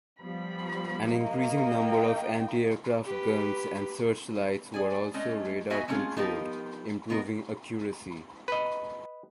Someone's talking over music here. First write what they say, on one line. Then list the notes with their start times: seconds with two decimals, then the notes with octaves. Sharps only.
An increasing number of anti-aircraft guns and searchlights were also radar-controlled, improving accuracy.
0.22 F3 G3 B3 B5
1.09 A#3 D#5
1.70 D#4 G5
3.05 G4 B4
4.74 G#4 D5 G#5
5.14 G#3 A3 C#4 D#5
5.70 B3 D#4 F#4 D#5 E5 G#5
5.88 G#3 A3 C4 C#4 F4 G#4
6.17 F3 B3 D#4 F4 G4 A#4
7.10 B3 D#4 F#4 A#4
8.48 B4 D#5